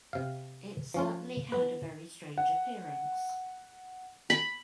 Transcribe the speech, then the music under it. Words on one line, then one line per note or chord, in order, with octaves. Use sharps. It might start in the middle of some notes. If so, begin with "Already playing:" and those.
It certainly had a very strange appearance.
C3 F5
F3 C#4 F4
B3 B4
F#5
B5